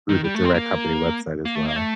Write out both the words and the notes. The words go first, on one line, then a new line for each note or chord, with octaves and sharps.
through the direct company website as well.
D#3
G3
A3
C4
A#3
A#3
A3
A#3
A3